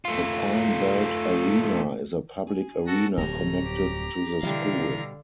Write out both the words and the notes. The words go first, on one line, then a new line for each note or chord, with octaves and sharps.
The Pine Belt Arena is a public arena connected to the school.
A3 F4
G#4
F#4 A4 A#6
D1 F2 F#3 G3 A#5
G4
B2 D3 E3 G3 F5 G5